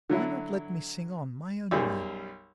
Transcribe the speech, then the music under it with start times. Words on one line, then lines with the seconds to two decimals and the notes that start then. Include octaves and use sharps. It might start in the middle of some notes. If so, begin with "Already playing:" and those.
Why not let me sing on, my own way?
0.10 D3 F#3 E4
1.71 B1 F#2 G3 G#4